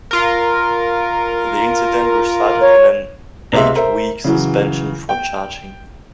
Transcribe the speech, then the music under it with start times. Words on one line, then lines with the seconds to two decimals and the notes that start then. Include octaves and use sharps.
The incident resulted in an eight-week suspension for charging.
0.11 F4 A#4
2.61 C#5
3.53 C#2 C3 E5 C6
3.76 A#4 C5 E5
4.24 C#3 E3 F#3
5.09 G5